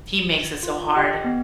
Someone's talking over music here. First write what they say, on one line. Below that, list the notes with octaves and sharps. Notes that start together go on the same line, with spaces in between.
He makes it so hard
F4
G4 D#5 G5
B3